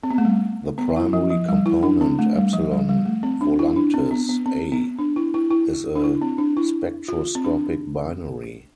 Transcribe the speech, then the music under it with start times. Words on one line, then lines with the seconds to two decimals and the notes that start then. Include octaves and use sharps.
The primary component, Epsilon Volantis A, is a spectroscopic binary.
0.03 C4
0.10 B3
0.18 A3
0.25 G3
0.78 B3
0.96 E4
1.13 F3
1.30 F3
1.48 G3
1.66 E4
1.83 D4
2.01 C4
2.19 A3
2.36 G3
2.53 F3
2.71 G3
2.89 G3
3.05 A3
3.23 C4
3.41 D4
3.59 E4
3.76 D4
3.94 C4
4.11 B3
4.29 B3
4.46 C4
4.72 B3
4.99 D4
5.16 E4
5.34 E4
5.51 E4
5.95 D4
6.04 E4
6.22 C4
6.38 D4
6.57 E4
7.08 F4
7.35 C4
7.44 D4